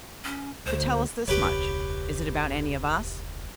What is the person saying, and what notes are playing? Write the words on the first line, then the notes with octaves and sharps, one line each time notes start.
"But tell us this much--is it about any of us?"
C#4
D2 C5
E1 C#2 G4 B4 C#5